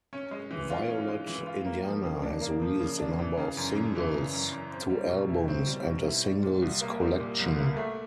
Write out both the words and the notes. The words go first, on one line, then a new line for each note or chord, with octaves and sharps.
Violet Indiana has released a number of singles, two albums and a singles collection.
C#4
G#3
E3
F4
C#4
G#3
E3
F4
A#3
F3
C#3
D4
A#3
F3
C#3
D4
E3
C#3
F#2
F#2
E3
C#3
F#2
F#2
C4
G3
B2
E4
C4
G3
B2
E4
G3
A#2
C2
A#3
G3
A#2
C2
A#3
A3